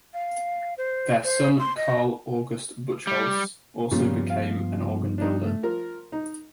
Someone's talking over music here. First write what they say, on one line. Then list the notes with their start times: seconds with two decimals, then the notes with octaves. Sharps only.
Their son Carl August Buchholz also became an organ builder.
0.14 F5
0.78 C5
1.24 C5
1.59 C6
1.77 D#5
3.07 G3
3.91 G2 A#2 C#3 F3 G3 B3
4.30 F5
5.18 D4 D#4
5.46 A3
5.63 F3 A#4
6.12 D#4